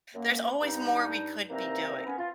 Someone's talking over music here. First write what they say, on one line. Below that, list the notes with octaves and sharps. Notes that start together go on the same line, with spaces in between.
There's always more we could be doing.
F#2 A#3
G2 D#4
C2 E3 A#3 C4 D#4 A#5
B3 C#4
F4